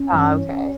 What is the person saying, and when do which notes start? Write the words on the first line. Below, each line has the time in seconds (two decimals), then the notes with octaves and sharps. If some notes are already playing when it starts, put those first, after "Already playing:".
Oh, 'kay.
Already playing: C#4
0.12 G2 E3